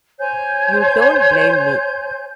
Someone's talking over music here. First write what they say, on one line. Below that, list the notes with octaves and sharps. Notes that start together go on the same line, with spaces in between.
You don't blame me?
C5 C#5 G#5 G6